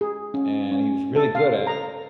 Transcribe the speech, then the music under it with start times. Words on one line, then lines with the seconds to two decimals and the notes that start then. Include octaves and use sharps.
and he was really good at
0.01 G#4
0.34 C#4
0.72 C#4
1.16 A4
1.35 F5
1.67 A#5